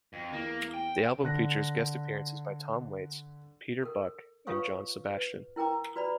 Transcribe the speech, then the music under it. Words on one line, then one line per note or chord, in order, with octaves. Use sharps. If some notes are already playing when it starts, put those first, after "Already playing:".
The album features guest appearances by Tom Waits, Peter Buck and John Sebastian.
F2
E2 A#3
G5
D3 F#6 A#6
A4 A#4
F4 B4 C#5 F5 C#6 D#6
B4
E4 A#4 G5 A#5 D6
F#4 B4 D5 A#5 B5